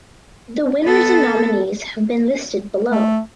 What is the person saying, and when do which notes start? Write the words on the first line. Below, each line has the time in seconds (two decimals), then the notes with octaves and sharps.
The winners and nominees have been listed below.
0.84 B3 A4
2.91 A3